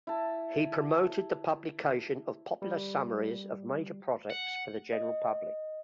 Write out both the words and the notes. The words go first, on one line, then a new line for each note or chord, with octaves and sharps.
He promoted the publication of popular summaries of major projects for the general public.
E4 A5
G3
F#5
D#5